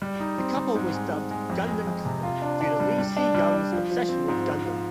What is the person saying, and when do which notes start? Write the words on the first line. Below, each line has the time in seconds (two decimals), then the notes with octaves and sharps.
The couple was dubbed "Gundam Couple" due to Lee Si-young's obsession with Gundam.
0.02 G3
0.20 D#4
0.38 C4
0.57 G3
0.75 G#2
0.94 G#3
1.12 G#2
1.31 G#3
1.50 F2
1.68 G#3
1.87 F2
2.05 C3
2.23 F4
2.42 D4
2.61 D4
2.80 G3
2.99 G3
3.17 D4
3.35 G3
3.54 D4
3.72 F3
3.91 F3
4.09 C4
4.28 G#2
4.46 F3
4.65 F3